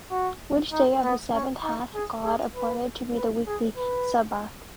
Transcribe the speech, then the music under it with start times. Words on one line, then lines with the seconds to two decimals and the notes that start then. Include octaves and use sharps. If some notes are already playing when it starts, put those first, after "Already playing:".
Which day of the seven hath God appointed to be the weekly sabbath?
0.11 F#4
0.72 D#4
1.03 B3
1.33 C#4
1.63 D#4
1.94 G#4
2.24 G#4
2.55 B4
3.16 B4
3.47 G#4
3.77 B4